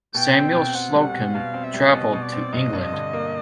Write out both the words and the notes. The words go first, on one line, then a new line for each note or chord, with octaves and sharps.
Samuel Slocum traveled to England.
B2 G5
C4
B2
C4 F#5
G3
B2
B2 F5
C4
E5
G3
B2 D#5
B2
D5
C4
G2 D#5
G2
D#5
D3
A#3